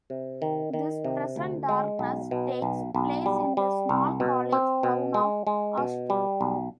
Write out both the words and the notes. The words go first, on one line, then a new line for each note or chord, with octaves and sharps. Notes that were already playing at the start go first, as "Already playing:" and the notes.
"This Present Darkness" takes place in the small college town of Ashton.
C3
D#3
D#3
C3
D2
G#3
B1
B2
B1
B1
G3
G3
C2
B2
C4
B2
G#3
G#3
B2
G3
B1